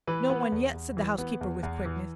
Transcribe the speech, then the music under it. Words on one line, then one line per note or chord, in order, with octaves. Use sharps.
"No one yet," said the housekeeper, with quickness.
E3 B4
B3
E2
E2
E3
B3
E2
E2
E3